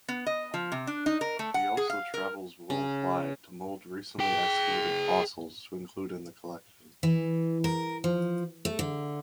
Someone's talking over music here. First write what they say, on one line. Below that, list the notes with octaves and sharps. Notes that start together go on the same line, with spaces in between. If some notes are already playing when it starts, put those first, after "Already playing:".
She also travels worldwide to mold recently excavated fossils to include in the collection.
B3
D#5
F3
C3
D4
D#4
A#4
A3
F#5
G#4
F5
A#4
C#3
G#4 G5
E3
A#4
F3
A3
D3